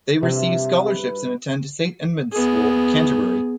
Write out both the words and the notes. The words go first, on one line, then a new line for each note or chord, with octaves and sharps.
They receive scholarships and attend Saint Edmund's School, Canterbury.
G2 C3 C5 E5
B4
B3 G#4